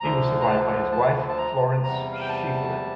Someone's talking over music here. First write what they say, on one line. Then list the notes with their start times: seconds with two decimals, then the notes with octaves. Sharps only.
He was survived by his wife, Florence Schieffelin.
0.01 D2 D3 F3 A#5
0.41 A#5
0.46 A5
0.92 A5
1.29 A5
1.38 A#5
1.83 E2 C3 G3 A#5
2.12 F5
2.21 G5
2.28 A5